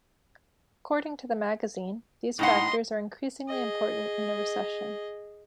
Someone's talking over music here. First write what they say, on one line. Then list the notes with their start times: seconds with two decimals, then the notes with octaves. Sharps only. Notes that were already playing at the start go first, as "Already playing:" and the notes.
According to the magazine, These factors are increasingly important in a recession.
2.39 A2 D#4 D#5 F#5 C6
3.48 G#4 D#5